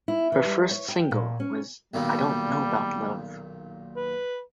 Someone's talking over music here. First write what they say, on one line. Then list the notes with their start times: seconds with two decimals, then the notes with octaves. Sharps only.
Her first single was "I Don't Know About Love".
0.08 E4
0.32 E3
0.45 G3
0.71 C#5
0.88 G5
1.11 A#2
1.40 C#4
1.94 B1 A#2 D#3 G3
3.96 B4